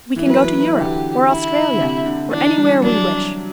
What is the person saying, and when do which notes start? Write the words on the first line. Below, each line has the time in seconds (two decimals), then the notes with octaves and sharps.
We can go to Europe, or Australia, or anywhere we wish.
0.16 E3
0.26 F#3 B4
0.39 E3
0.52 E3
0.65 E3
0.77 D3 G4
1.28 E4
1.73 D3
1.80 C3
2.06 D3
2.31 E3 D4
2.57 G3
2.82 F#3 D4